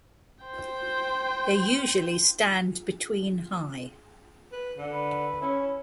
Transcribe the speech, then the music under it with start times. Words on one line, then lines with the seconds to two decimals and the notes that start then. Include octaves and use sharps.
They usually stand between high.
0.44 C5 G5
4.52 B4
4.78 D3
4.92 B4
5.41 C#4 E4